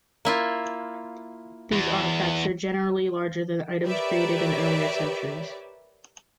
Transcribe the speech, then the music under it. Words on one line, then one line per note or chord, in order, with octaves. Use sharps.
These artifacts are generally larger than items created in earlier centuries.
A#3 E4 F4
E2
G4 A#4 B4 C#5 D5 E5